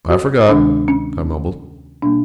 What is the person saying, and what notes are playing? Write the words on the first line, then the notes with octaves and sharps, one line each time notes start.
"I forgot," I mumbled.
F#4
D2 C3 D#3 G#3 D4
C#4
B2 G3 A#3 D4